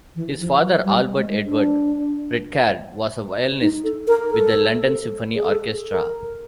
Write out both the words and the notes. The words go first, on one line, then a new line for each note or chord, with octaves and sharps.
His father, Albert Edward Pritchard, was a violinist with the London Symphony Orchestra.
E3
F3
F#3
G3
G#3
D4
D#4
A4
A#4
A4
G#4
A4
A#4